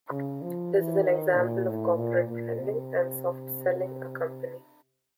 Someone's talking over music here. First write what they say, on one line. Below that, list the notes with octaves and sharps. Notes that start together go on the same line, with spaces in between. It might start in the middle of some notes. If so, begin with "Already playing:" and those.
This is an example of corporate branding, and soft selling a company.
C#3
F3
E3
D#3
A#2
A2
A#2
A#2
C3